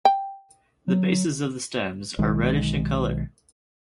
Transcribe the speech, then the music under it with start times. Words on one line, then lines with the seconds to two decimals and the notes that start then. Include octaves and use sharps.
The bases of the stems are reddish in color.
0.05 G5
0.88 F#3
2.19 B1 D#3 G#3